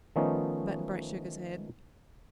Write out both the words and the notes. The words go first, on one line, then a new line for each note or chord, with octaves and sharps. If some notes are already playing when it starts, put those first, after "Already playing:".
Button-Bright shook his head.
D#3 F3 A3 B3 C#4 D#4